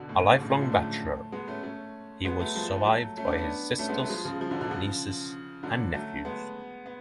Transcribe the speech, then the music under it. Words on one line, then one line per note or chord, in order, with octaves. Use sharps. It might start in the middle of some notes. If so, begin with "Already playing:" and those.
A lifelong bachelor, he was survived by his sisters, nieces and nephews.
Already playing: B2 D3
A2
A2
G#2 B2
A2 C#3
F3 G#3
D3 F#3
F#3 A3
G#3 B3
A3 C#4
A3 C#4
G#3 B3
F#3 A3
F3 G#3
F#3 A3
A3 C#4
B3 D4
B3 D4
A3 C#4
G#3 B3
F#3 A3
F3 G#3
C#3 F3
C#3 F3
D3 F#3
B2 D3
C#3 F3
D3 F#3
F#3 A3
G#3 B3
B3